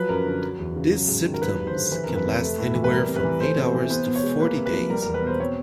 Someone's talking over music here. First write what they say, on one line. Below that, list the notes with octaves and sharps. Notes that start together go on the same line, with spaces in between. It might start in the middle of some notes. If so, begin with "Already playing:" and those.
These symptoms can last anywhere from eight hours to forty days.
Already playing: F3 F#3 B4
F#2 A#4
D3
F#3
E2
C#3
F#3
G#2
D#3
A#4
F#3 B4
G2
C5
D3
E3 B4
F2 A#4
B4
C3
A3
A2
E3
B4
G3 A#4
C3
B4
E3
A3 C5
C3
E3
B3 C5
B2
C#5
G#3
A#3 B4
C3
B4
F3
G3 A#4
E2 A#4
B4
B2 C5
C4 C#5